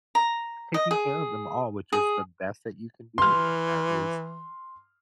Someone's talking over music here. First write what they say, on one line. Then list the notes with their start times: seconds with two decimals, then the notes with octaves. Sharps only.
taking care of them all, which is the best that you can do, and that is,
0.15 A#5
0.74 D#5
0.91 G#4
1.93 G#4
3.18 E3 C6 F6